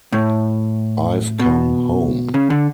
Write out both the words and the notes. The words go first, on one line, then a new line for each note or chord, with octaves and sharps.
I've come home.
A2
B2
C#3
D3